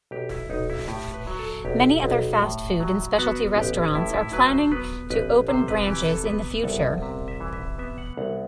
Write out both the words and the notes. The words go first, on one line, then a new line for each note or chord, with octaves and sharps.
Many other fastfood and specialty restaurants are planning to open branches in the future.
B1 G4
E4
B1 D#4
E4
A2 G4
B4
F#3
A4
B1 G4
B1
A2
F#3
B3 F#4
A1 G4
A2 E4
E4
F#3 B4
C5
B3 B4
A1 B4
C3 C5
B4
E3 G4
A4
B3 B4
C2 A4
C3 E5
E5
E3
E5
B3 E5
F#5
C2 F#5